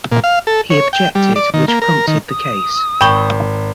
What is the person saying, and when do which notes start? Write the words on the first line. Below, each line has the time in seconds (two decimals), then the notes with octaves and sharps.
He objected, which prompted the case.
0.12 A#2
0.24 F5
0.47 A4
0.70 C#5
0.93 G5
1.15 G3
1.36 D5
1.54 D#3
1.68 A#3
1.82 A#4
2.08 D#3
2.29 D#6
3.01 G#1 G5 B5 C#6 G7